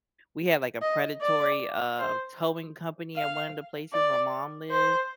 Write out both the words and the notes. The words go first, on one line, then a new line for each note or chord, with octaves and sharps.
we had, like, a predatory, uh, towing company at one of the places my mom lived,
D#5
D5
C5
F5
D5
C5